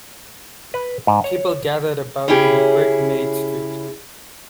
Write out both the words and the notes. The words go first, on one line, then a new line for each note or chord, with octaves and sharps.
People gathered about in the brick made street.
B4
G#2
C#5
C#3 C#4 E4 G4 G#4